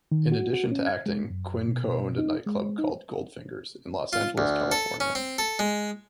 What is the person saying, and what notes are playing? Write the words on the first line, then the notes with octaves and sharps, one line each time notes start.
In addition to acting, Quinn co-owned a nightclub called "Goldfingers" in Los Angeles, California.
D#3
F#4
F#4
C#4
G#6
G#3
F#2
B2
D#4
G#3
D#4
F4
D2
A4
C#4
C4
A4
G#3